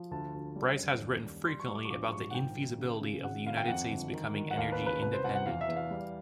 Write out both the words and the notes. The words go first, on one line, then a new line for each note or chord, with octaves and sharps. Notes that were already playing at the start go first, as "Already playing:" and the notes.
Bryce has written frequently about the infeasibility of the United States becoming energy independent.
Already playing: F3
D2 A5
D2
G3
F#2
D#2
G3
G3 C6
C#6
G3
D6
C#6
A#1 D6
G#2 C#6
F#5
D#3 G5
D#3
C#3
C#3
G#1 F#5
G#1 F5
G5
F2 F#5
G1
D#3
D#3
F#5
D#2 F5
B4
C#3
B4
C2 B4
C5
C2 F#5
F#5
E2 F5
E5
E2
F5
G3